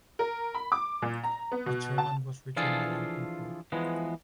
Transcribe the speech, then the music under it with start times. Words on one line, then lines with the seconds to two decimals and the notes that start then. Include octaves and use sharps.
The Chairman was Richard Melancthon Hurd.
0.19 A#4
0.55 B5
0.72 D6
1.02 A#2
1.23 A#5
1.52 B3
1.66 B2
1.98 A5
2.56 E3 F3 D4 F4 G#4 A4
3.72 E3 F3 G#3 B3